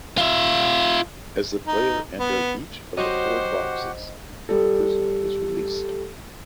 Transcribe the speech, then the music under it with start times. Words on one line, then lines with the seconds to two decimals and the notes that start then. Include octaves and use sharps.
As the player enter each of the four boxes the prisoner is released.
0.18 F4 E5
1.67 D#4
2.20 B3
2.97 F#3 C4 D#4 F#4 G4 C5 D#5 F#5
4.49 G3 A4